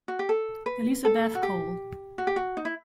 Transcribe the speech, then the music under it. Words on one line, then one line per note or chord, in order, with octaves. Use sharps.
Elizabeth Cole.
F#4
G4
A4
B4
A4
F#4
G4
F#4
G4
F#4
D#4
E4